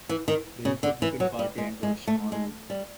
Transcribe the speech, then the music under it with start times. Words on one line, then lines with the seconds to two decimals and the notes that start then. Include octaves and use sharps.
The Republican Party endorsed Norwood.
0.09 E3
0.28 D#3
0.65 C#3
0.83 D3
1.02 E3
1.20 F#3
1.39 G3
1.58 G#3
1.83 G#3
2.08 A3
2.32 G#3
2.70 G3